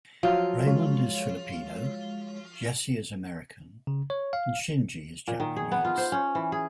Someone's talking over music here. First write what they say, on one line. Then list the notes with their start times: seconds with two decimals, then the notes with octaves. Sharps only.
Raimund is Filipino, Jesse is American, and Shinji is Japanese.
0.23 F3 F#3 F4
0.67 G#3 C#5 F5
3.87 C#3
4.10 C#5
4.33 F5
5.28 A#2
5.40 D#3
5.57 G#4
5.72 B3
5.85 F4
5.98 C5
6.12 C#4
6.35 E3
6.52 G#4